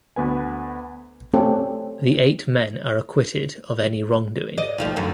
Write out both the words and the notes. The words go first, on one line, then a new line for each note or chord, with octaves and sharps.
The eight men are acquitted of any wrongdoing.
D2 B3 B4 G#5
A3 C4 C#4 G4 A4
D5 D#5
D#2 F3 A3
F#2 D3 A#3